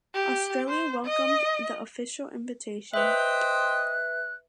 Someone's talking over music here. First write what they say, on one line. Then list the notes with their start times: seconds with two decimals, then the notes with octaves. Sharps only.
Australia welcomed the official invitation.
0.14 G4
0.68 C5
1.05 D#5
2.94 B4 C5 D#5 E5 G5 F#6